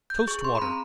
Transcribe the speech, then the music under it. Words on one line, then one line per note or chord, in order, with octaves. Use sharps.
Toast Water.
G6
G#4 C#6
C6
B5
C4 A#5